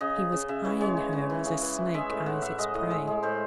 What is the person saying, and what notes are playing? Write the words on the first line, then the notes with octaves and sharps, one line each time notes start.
He was eying her as a snake eyes its prey.
C#3 D#5
C#3
C#3
C#3 E5
E3 C#5
G#3 C#5
C#3
C#3
E3
C#3
E3
E3
G#3 E5
A2 E5
A2 F#5
A2 E5
G#3 D#5
A2 D#5
G#3 E5
G#3
A2 C5